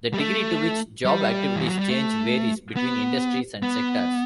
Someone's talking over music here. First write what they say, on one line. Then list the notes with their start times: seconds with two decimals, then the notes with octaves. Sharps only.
The degree to which job activities change varies between industries and sectors.
0.14 G3
0.17 A3
1.05 G3
1.56 E3
1.67 F#3
1.79 G3
1.90 A3
2.76 B3
3.63 B3